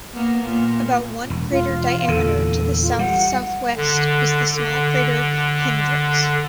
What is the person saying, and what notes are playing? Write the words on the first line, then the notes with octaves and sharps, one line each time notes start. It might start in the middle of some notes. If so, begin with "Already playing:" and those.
About one crater diameter to the south-southwest is the small crater Hendrix.
A#3 B3
A#2
E1
F4
E2 A#2 D3 A4
F4
G3 F#5
D3
D3